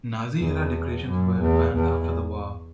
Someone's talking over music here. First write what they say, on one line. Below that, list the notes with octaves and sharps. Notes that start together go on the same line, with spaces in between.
Nazi era decorations were banned after the war.
E2
F#2
E2
E2